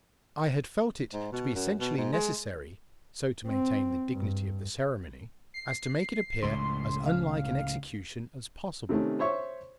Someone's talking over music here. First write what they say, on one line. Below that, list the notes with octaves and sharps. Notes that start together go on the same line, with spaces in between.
I had felt it to be essentially necessary so to maintain the dignity of the ceremony as to make it appear as unlike an execution as possible.
G#2
B2
F#2
B2
G#2
G#3
C4
G2
C7
C#2 A2 C6
F5
C3 D#3 A3 C#4
C5 C#5 E5 C#6